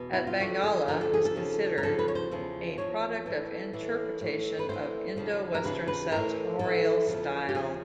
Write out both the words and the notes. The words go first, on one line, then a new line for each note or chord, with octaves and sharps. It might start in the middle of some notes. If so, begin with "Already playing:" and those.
A Bandgala is considered a product of interpretation of Indo-Western sartorial style.
Already playing: E2 B2
E4
F4
D2 D3 F3 F#4
G#4
D2 D3 F3 A#4
A4
G#4
A4
D#2 C#3 F3
A#4
D#2 C#3 F3 A4
B4
C#5
C5
E2 C#3 F3
E2 C#3 F3 C#5
A2 E3
A2 E3
A2 E3
B4
A2 E3 C5
D#2 C#3 F3
A#4
D#2 C#3 F3 B4
B4
A2 E3 A#4
A2 E3 A4
E2 C#3 F3
G4
E2 C#3 F3 G#4